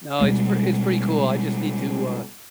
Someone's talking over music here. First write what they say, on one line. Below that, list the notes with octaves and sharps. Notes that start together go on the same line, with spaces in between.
No, it's p it's pretty cool, I just need to, uh,
B2 G3 G#3